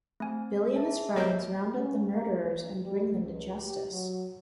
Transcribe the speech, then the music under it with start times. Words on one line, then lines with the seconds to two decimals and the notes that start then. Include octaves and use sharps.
Billy and his friends round up the murderers and bring them to justice.
0.20 A3 C4 G#5
0.76 G#4 E5 A5
1.16 G3 A#3 C4 C#5 D#5 E5 G6
1.75 C#4
2.12 A#3
2.50 A#3
2.82 G3
3.13 C#2
3.57 G4
3.91 F#3